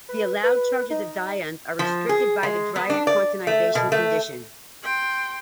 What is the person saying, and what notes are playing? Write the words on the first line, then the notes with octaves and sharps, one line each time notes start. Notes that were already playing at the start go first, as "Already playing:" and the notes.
The allowed charges of dyons are restricted by the Dirac quantization condition.
B4
B4
D#4
F3
G#4
G#3
B3
D4
D5
A3
B2
A3
G5 C6